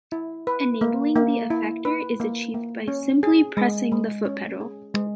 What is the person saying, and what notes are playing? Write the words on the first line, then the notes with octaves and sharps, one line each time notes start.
Enabling the effector is achieved by simply pressing the foot pedal.
E4
B4
A#3
A#3
E4
B4
A#3
A#3
C#4
G#4
G#3
G#3
C#4
G#4
G#3